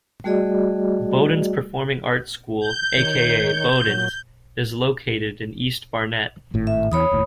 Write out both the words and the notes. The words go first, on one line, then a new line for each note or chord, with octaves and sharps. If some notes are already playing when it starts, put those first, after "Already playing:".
Bodens Performing Arts School, aka Bodens, is located in East Barnet.
G3 A3 F#4 G#4 D5 D#5
G6
D#3 C#5
A#2 F#3
G#1 A2
E5
E2 E3 C#5 B5 D#6
F1 D#2 A2